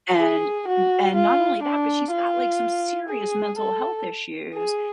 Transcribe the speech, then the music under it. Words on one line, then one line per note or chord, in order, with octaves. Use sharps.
and w and not only that, but she's got, like, some serious mental health issues.
G#4
F#4
F4
D4
F4
G#4
A4
G#4